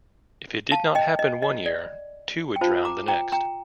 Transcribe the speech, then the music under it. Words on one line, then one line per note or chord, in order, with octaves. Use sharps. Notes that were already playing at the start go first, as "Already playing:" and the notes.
If it did not happen one year, two would drown the next.
F5 A5
D#5 G5
D#5
D#5
D5
G5
F4 C5 F5 A5
A#5 D6
G5 A#5
G5 A#5